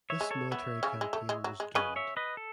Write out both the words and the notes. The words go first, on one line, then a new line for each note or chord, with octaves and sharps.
This military campaign was doomed.
C#5 E5
G#3
A4 C#5
B3 C#5 E5
C#3 C#4
G#3
A3
G#3
F#3
G#3
C#3 C#4 B4 D#5
C#5 E5
B4 D#5
A4